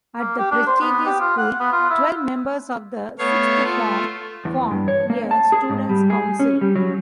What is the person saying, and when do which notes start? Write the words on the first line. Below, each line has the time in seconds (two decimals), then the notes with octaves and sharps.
At the prestigious school twelve members of the Sixth Form form a Student's Council.
0.18 A#3
0.38 G4
0.51 D4
0.67 C5
0.81 B3
1.06 G4
1.20 F4
1.38 F#5
1.60 B3
1.73 F4
1.90 E4
3.19 A3 B3 C#5 F5
3.64 A3 F4
4.45 E2
4.71 G2
4.88 C#5
5.10 A#3
5.31 A5
5.52 G#4
5.69 G#2
5.89 G3
6.10 G#4
6.40 C#4
6.61 G3
6.76 F#3